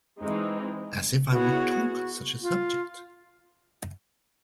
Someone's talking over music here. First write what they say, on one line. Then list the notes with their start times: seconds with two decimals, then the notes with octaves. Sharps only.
As if I would talk on such a subject!
0.21 E3 G#3 C4 D#4
1.31 B3 E4 F#4 G#4 C#5
2.42 F4